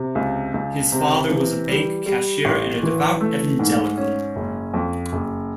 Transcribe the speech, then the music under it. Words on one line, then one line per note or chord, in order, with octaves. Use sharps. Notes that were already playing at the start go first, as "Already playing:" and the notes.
His father was a bank cashier and a devout Evangelical.
Already playing: C3
C#2
C#2
C3
E3
G3
G3
A1
E3
A3
G#2
C#4
F#1
F2
F#1